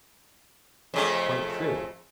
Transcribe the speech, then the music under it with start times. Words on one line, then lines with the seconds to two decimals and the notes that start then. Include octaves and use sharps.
Quite true.
0.94 F2 C#3 A3